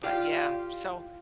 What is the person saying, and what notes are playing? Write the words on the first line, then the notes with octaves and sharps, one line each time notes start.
but yeah, so
F4 G4 D5